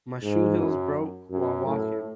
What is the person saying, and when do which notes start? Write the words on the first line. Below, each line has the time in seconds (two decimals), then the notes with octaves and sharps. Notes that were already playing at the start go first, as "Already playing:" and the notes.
My shoe heels broke while walking.
0.22 G#2
0.58 F#2
1.30 F#2
1.67 A2